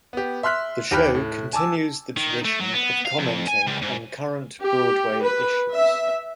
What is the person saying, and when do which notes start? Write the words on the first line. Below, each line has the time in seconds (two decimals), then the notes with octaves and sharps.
The show continues the tradition of commenting on current Broadway issues.
0.13 B3 G4
0.43 E5 C6 F6 F#6 B6
0.91 D#2 G4 B5 F6 F#6
1.15 A2
1.53 G#5 A5 D6 E6
2.17 D#3
2.45 A3
2.60 F#3
2.73 B3
3.05 F5
3.18 F2
3.47 G#5
3.67 C#2
3.82 G#2
4.63 G4
5.24 B4
5.72 E5